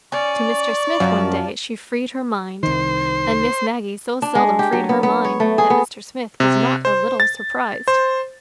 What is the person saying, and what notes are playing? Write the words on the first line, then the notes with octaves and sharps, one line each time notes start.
To Mr. Smith, one day, she freed her mind--and Miss Maggie so seldom freed her mind that Mr. Smith was not a little surprised.
C#4 D5 C#6
F#2 F3
C2 D#3 C5
D4
G#3
G4
F#3
B3
B3
C#5
A3
G#4
B3
C3
C5
A6
C5